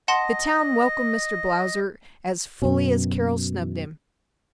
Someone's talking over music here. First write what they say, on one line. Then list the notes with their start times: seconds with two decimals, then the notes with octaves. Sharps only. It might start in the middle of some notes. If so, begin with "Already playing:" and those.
The town welcomed Mr. Blausser as fully as Carol snubbed him.
0.08 D#5 F#5 A5 C6
2.62 F#2 B2